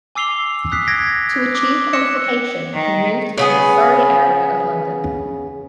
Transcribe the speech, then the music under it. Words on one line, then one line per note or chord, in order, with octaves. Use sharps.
To achieve qualification, he moved to the Surrey area of London.
G#5 D6 E6 C7 F7 G7
D#6 F#6 B6 C7
G#6 A#6 B6 D7
D6
E6 F#6 A#6 C#7 E7
D#3
C#3 B3 G#4